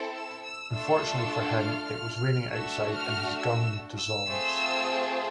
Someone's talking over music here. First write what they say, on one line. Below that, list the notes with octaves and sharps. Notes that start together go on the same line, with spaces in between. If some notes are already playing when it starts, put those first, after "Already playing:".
Unfortunately for him, it was raining outside and his gun dissolves.
Already playing: C4 E4 A4
E6
E6
A3 D4 F4 A4 E6
F6
A3 D4 F#4 E6
F6
E6
E6
A3 C4 F4 G#4